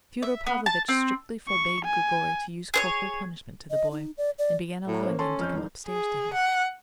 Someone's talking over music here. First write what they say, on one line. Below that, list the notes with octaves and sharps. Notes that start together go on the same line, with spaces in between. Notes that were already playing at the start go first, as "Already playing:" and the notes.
Fyodor Pavlovitch strictly forbade Grigory to use corporal punishment to the boy, and began allowing him to come upstairs to him.
E5
B3
A5
C4
C#6
G#5
G#4 C5 C#5
D#5
D#4
D5
D5
A2
A#3 C#4 C5
C#4 A4 A5 C6
F2 F6 G6
D#1 E2 D#4
G#4
F#5